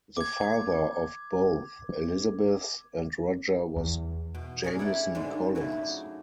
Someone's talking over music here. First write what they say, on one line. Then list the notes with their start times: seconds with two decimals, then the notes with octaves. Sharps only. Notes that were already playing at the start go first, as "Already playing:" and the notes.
The father of both Elizabeth and Roger was Jamison Collins.
0.17 D6 G#6
3.77 E2
4.35 B2
4.63 C#4 D4 G#4 A#4
4.79 E4 A4 F#5 G5
5.15 G#2 D3 G3 G#3
5.55 F#2 C#3 A3 E4 F#4
5.71 D4 D#4